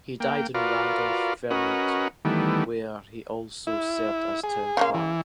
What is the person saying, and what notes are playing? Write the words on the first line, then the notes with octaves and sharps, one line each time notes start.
He died in Randolph, Vermont, where he also served as town clerk.
A#3 G5
F4 F#4 A#4 B4 D5 F5
C#4 F#4 A#4 B4 D#5 F#5
D#3 E3 G3 A3 B3
E4
G#4
C#3 G#3 A#3 F5 C6
E3